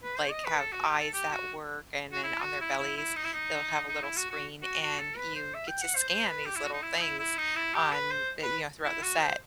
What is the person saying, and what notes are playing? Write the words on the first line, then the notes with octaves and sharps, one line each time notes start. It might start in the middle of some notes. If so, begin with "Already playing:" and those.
like, have eyes that work, and then on their bellies, they'll have a little screen and you get to scan these little things on, you know, throughout the set,
B4
C5
D#5
B4
A4
F#4
G4
A4
G4
F#4
F#4
E4
F#4
E4
E4
E4
D#4
E4
D#4
D#4
E4
F#4
F#4
F#4
F#4
A4
B4
C5
E5
G5
F#5
C5
C5
B4
G4
E4
F#4
D#4
E4
D#4
E4
E4
D#4
E4
G4
B4
C5
B4
E4
F#4
C5